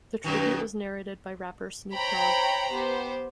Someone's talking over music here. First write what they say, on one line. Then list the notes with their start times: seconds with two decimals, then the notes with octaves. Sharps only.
The tribute was narrated by rapper Snoop Dogg.
0.24 F#2 B2 D#3
1.95 C5 C#5 G5 A#5 B5
2.72 B3 G4 C5